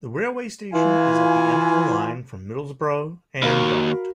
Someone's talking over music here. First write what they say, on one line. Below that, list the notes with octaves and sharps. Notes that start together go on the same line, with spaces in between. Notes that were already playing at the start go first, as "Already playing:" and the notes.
The railway station is at the end of the line from Middlesbrough and Darlington.
E3 F4 G#5
D#2 F#4 A#4 F5 B5